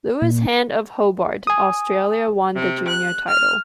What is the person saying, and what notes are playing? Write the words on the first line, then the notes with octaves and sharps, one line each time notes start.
Lewis Hand of Hobart, Australia won the junior title.
A#2
G#5 D#6
C3
F#6
F6